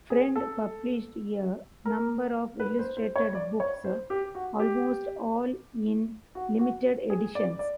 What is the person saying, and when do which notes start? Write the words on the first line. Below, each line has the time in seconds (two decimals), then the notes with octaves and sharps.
Friend published a number of illustrated books, almost all in limited editions.
0.10 G#4
0.36 A4
1.86 A#4
2.60 B4
2.79 C5
2.97 C5
3.16 C#5
3.35 D5
3.60 C#5
3.85 C5
4.10 G4
4.35 F#4
4.59 G4
6.35 F#4
6.59 F#4
7.10 G#4
7.35 D5
7.59 D5